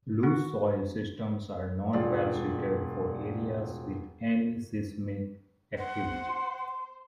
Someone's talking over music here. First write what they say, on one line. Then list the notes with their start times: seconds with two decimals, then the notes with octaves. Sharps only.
Loose soil systems are not well suited for areas with any seismic activity.
0.23 F#4
1.93 E1 F4 D5
5.78 C5 F#5
6.27 C6